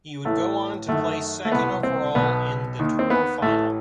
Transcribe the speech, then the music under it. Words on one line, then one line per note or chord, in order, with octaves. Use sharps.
He would go on to place second overall in the Tour Final.
A1 A2 E3 A3
F#2 D#3 A3
A3
C2 B2 B3
C4
B1 B2 B3
D#2 D#3
C4
B3
A1 A2 E3 A3